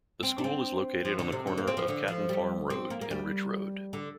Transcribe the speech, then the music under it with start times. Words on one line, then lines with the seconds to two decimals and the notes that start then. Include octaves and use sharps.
The school is located on the corner of Caton Farm Road and Ridge Road.
0.23 C4
0.38 D4
0.44 C4
1.05 F3
1.19 D3
1.32 C3
1.47 D3
1.58 A#3
1.67 C4
1.77 F3
1.88 D3
2.08 F3
2.29 G3
2.70 C4
2.90 A#3
3.01 A#3
3.11 G3
3.93 D3